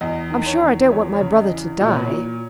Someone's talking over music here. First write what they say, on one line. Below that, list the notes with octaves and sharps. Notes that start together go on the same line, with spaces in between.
"I'm sure I don't want my brother to die."
E2 D#5
D#3
C#5
E2
E2 C#5
C#5
C#3
D#5
E3
A#2 D#5
C#5
B4
C#5
A#2